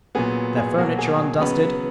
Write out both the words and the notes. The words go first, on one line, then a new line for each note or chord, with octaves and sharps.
Their furniture undusted.
A#2 F#3 B3 G#4
G#4
B2 F#3 A#3 F#4
G#4
C#3 F#3 B3 B4